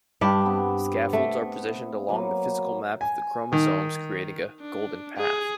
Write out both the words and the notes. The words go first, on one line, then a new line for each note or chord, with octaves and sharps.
Scaffolds are positioned along the physical map of the chromosomes creating a "golden path".
G2 D4 G4
B3 C4
A3
F#3 A#3 B4
G#5
D#3
D4
G#4